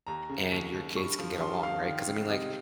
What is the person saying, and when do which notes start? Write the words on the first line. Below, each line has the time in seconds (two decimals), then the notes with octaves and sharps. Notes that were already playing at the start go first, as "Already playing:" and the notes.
and your kids can get along, right, 'cause I mean, like
0.07 D#2 A#5
0.29 C#3
0.52 D#2
0.74 D#2
0.95 G2 C#6
1.19 F3
1.40 G2 C6
1.63 F3 F5
1.85 D#3
2.07 C#2
2.29 C3 D#5